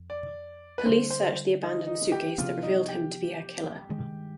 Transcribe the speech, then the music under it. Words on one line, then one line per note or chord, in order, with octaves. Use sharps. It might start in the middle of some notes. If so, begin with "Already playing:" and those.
Police searched the abandoned suitcase that revealed him to be her killer.
Already playing: F2
D5
B4
D3 G3 D4 C5
C5
D#4
D#4
G4
C3 F3 B3 D4 F4
D#4
G4
G2 D#3 G#3